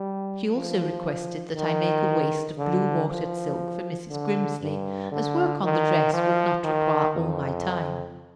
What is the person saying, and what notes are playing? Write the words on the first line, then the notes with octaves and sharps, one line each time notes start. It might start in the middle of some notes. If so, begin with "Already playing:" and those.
She also requested that I make a waist of blue watered silk for Mrs. Grimsly, as work on the dress would not require all my time.
Already playing: G3
F3
D#3
D3
F3
D3
G2
D3
D#3
F3
D#3
F2